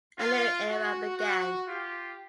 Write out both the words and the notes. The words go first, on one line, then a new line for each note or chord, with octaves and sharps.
A new era began.
F4
F#4
F#4
F4 G4